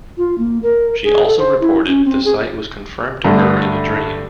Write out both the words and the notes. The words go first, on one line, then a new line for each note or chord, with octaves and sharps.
She also reported the site was confirmed to her in a dream.
F4
A#3
A#4
G#4
A4
C5
E4
C#4
C4
G#4
G2 D3 A3